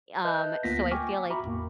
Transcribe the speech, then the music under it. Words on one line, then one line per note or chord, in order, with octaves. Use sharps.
Um, so I feel like,
B4 D#5 E5 A5 F#6 G6
D2 A#3 B3 F4 A#6 B6
G5 G#5 C#6 D6 F6
F#4 E5 A#5 B5 C#6 D6
A1 E2 A2 A#3